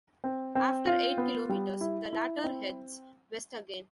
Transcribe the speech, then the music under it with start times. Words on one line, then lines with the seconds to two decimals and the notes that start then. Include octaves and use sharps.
After eight kilometres, the latter heads west again.
0.24 C4
0.55 C4
0.87 F4
1.18 B3
1.49 G3
1.81 E4
2.13 E4
2.44 C4